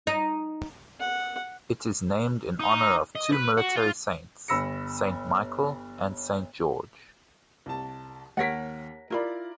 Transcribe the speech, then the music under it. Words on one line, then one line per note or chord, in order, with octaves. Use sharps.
It is named in honour of two military saints, Saint Michael and Saint George.
D#4
F#5
D#4
D#5
B4
F#4
F4
G1 B5 E6 A#6 C#7
C2 A5
D#2 A#4 C#5 F#5 A#6 B6
E4 F4 A#4 D5 B5